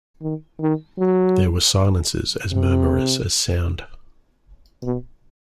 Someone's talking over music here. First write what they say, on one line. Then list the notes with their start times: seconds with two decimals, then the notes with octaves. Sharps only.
There were silences as murmurous as sound.
0.22 D#3
0.60 D#3
0.99 F#3
2.52 C3
4.83 B2